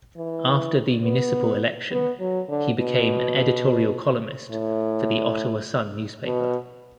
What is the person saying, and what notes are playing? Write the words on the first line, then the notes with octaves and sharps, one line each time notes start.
After the municipal election, he became an editorial columnist for the "Ottawa Sun" newspaper.
E3
B3
B3
F#3
D3
B2
A2
B2